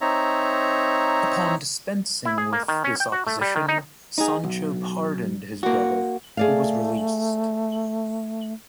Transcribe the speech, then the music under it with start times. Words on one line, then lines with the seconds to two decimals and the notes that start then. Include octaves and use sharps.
Upon dispensing with this opposition, Sancho pardoned his brother, who was released.
0.01 C4 D#4 C#5 E5 A#5
2.25 E4
2.38 G#4
2.53 A#3
2.68 D#3
2.84 C#4
3.00 G5
3.12 F#4
3.27 A3
3.41 G3
3.56 D#3
3.68 D#4
4.18 D#4 G#4
4.44 B1
5.63 A#3 F#4
6.37 A3 G#4 D5 F5